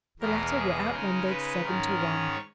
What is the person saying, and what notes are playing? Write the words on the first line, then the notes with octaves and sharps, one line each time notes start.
The latter were outnumbered seven to one.
E2 B2 G#3 A#4
G#4
C#3 G#3 D#4 A#4
B4
G#2 D#3 G#3 C#4 A#4
C#5